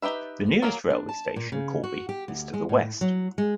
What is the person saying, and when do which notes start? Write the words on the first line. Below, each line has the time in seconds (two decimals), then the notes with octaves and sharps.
The nearest railway station, Corby, is to the west.
0.02 D#4 G4 B4 E5
0.62 F#3 A#3 G#4 A#4
0.90 D4
1.09 A5
1.36 A#2
1.52 C#3
1.84 F#4
2.09 G4
2.28 D2
2.54 G#3
2.69 A2
3.01 F#3
3.38 G#3